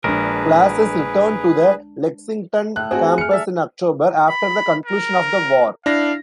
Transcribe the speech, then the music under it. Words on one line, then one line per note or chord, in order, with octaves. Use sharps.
Classes returned to the Lexington campus in October, after the conclusion of the war.
A#1 G#3 D4 G#4 A#4 B4
A2 F#6
C4 F#4 G#4
F6 C#7
E5 A5
B5
A#4
D4 E4 F5 A#6